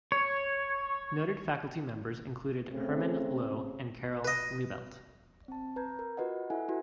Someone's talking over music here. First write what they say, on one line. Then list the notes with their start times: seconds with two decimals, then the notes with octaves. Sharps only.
Noted faculty members included Hermann Loew and Karol Libelt.
0.12 C#5
2.70 C#3 A3 C4
4.25 B4 D#5
5.48 C4 A5
5.76 B4 A#5 G6 G#6
5.99 A#4
6.17 F4 F#4 B4 D#5 F#5
6.50 E4 A4 B4 E5 F#5 G#5
6.68 E4 F#4 B4